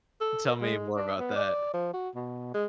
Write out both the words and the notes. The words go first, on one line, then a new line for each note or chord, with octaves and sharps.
Tell me more about that.
A4
A#4
G#3
D4
B3
D5
F3
F#4
B2
G#3